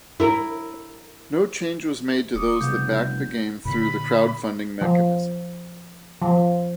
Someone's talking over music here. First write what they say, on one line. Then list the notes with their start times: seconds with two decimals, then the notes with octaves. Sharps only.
No change was made to those that backed the game through the crowdfunding mechanism.
0.20 E4 A#4
2.34 D#1 D6 D#6 C#7
2.61 F1 C2 C#3 B3 G6
3.65 A#2 D3 B5
4.81 F3
6.22 F3